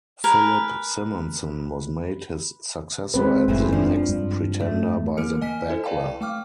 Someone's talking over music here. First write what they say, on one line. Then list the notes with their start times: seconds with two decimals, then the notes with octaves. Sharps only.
Philip Simonsson was made his successor as the next pretender by the Bagler.
0.24 A#4 B4 G#5
3.14 G#3 C4 B4
3.48 F#1 E3 F3 A3
3.72 F3 D4
4.09 G2
4.60 A3
5.17 E3 A#3 A#4 F6 C#7
5.41 D#5 G#5 F6 B6
5.69 E4 A4 C5
5.84 B4 D5 F5 G5 A5
6.21 A3 F5 G5 D6 F6